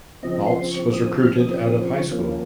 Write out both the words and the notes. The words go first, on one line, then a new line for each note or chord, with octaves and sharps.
Maltz was recruited out of high school.
C#3 F3 C4 D#5
C6
C#6
D#6
F6
D#6
D#6
C#6
F3 A#3 C#4